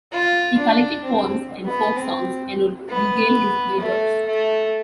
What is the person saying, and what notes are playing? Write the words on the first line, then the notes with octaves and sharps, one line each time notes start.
He collected poems and folk songs and would regale his neighbours.
F4
D4
C4
B3
C4
B3
A3
A3